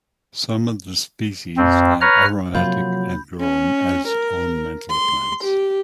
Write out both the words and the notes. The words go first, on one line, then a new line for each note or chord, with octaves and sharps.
Some of the species are aromatic and grown as ornamental plants.
F2 C4
B4 C#5 A#5 F6
C3 F3 F#3 A#3 F4 B5 G6
C#4
A#4
C6
G4